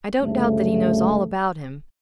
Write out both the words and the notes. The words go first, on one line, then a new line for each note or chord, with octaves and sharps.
I don't doubt that he knows all about him.
D2 G2 C#3 A3